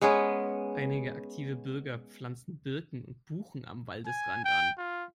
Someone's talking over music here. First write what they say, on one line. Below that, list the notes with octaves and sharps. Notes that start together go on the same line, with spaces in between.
Einige aktive Bürger pflanzen Birken und Buchen am Waldesrand an.
G#3 B3 C#4 G#4
G#5
G5
F4